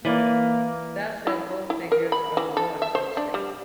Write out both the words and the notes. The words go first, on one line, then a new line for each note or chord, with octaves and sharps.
That said, both figures are the lowest in the state.
E3 A#3 D5
E4
E4
A#4
B5
E3
A4
E5
C5
D4
G3